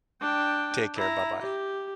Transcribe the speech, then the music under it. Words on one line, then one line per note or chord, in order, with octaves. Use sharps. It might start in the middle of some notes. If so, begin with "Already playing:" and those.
Take care, bye-bye.
D4 G5
E4 A#5
G4